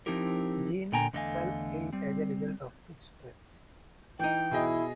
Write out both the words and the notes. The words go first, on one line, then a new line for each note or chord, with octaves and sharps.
Jean "fell ill" as a result of this stress.
F3 C4 D#4 E4 G4 A#4
A#2 D3 G5 G#5 A#5
E2 D3 A3 D#5 F5 G#5
G3 C4
E3 D#4 G5
B2 E4 G#4 D#5